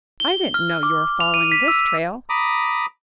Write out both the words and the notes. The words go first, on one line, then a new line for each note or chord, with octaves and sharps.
I didn't know you were following this trail.
G7
F6
D6
F7
D#7
B6
E6
A#5 B5 D6 D#6